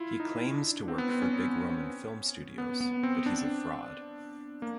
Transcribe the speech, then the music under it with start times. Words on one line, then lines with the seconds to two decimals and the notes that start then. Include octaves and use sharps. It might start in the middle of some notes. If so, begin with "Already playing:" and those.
He claims to work for big Roman film studios, but he's a fraud.
Already playing: E4 F4
0.20 D#4
0.54 D4
0.88 C4
0.98 B3
1.09 C4
1.22 C#4
2.58 B3
2.81 B3
3.03 C4
3.26 D4
4.62 A#3